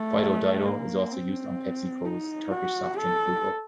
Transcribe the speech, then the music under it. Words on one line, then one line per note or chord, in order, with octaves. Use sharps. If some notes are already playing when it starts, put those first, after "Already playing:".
Fido Dido is also used on PepsiCo's Turkish soft drink Fruko.
Already playing: A3
A#3
C4
D#4
F#4
A4